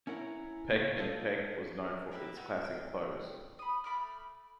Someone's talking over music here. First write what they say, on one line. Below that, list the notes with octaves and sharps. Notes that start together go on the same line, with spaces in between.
Peck and Peck was known for its classic clothes.
C#4 E4 A#4 F#5
C#2 A#2 A#3 F#4
F4 A4 C5 D5 D#5
A#3 G4 B4 E5
B3 D#4 E6
G5
B5 D#6
A3 B5 D6 F6